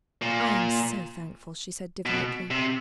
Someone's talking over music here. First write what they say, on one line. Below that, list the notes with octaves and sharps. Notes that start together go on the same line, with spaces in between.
"I am so thankful," she said devoutly.
A#2
B2
C3